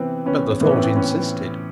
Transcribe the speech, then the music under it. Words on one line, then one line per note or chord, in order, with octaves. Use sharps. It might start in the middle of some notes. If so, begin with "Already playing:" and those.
But the thought insisted.
Already playing: C3 E3 B3 C4
B3 C#4
A2 E3 B3
C#4
C4
B3 C#4